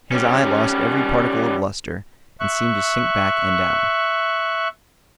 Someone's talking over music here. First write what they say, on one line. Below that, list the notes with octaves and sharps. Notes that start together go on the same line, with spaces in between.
His eye lost every particle of lustre and seemed to sink back and down.
G3 C#4
E5 C#6 F#6